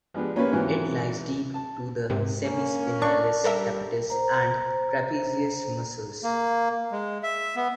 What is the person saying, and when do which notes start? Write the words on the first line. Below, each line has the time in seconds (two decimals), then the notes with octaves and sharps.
It lies deep to the semispinalis capitis and trapezius muscles.
0.14 F3 G#3 B3 D4 G4
0.36 A#3 C#4 F4 G4 B4 C#5
0.52 G#2 E3 F#3 C4
1.54 A5
2.10 G#2 C3
2.43 A#3 C#4
3.02 D4 C#6
3.44 G3 A4 A#4 E5
4.10 C5 A#5
6.24 A#3
6.92 G#3
7.23 E5
7.56 B3